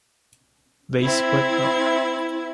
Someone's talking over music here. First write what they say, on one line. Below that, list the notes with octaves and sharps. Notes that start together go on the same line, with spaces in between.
They split up.
C4 E4 G#6